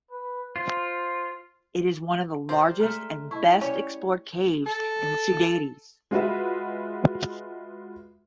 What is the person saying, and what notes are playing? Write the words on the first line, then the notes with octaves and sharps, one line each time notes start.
It is one of the largest and best explored caves in the Sudetes.
B4
F4 C5
G4 A#4 C5 D5
G#3 A3 E5 A#5 F6
E4 D#5 A5 C#6
C#4 G4 C#5 D5
A4
G#3 F4 F#4 B4 E5